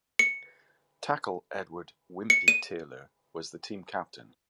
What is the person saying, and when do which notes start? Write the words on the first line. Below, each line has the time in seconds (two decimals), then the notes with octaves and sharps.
Tackle Edward "Wimpy" Taylor was the team captain.
0.19 C#7
2.30 C#7
2.48 D#7